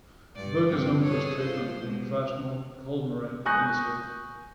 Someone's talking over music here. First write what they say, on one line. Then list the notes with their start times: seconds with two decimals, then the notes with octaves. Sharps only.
The book is known for its treatment of the professional culinary industry.
0.36 G2 D5
0.65 G2 F3 C4
1.04 G#4 A4 C#5
1.40 F4 C5
1.80 B2 G#3
3.46 G#5 C#6 D#6 F#6 G6 A#6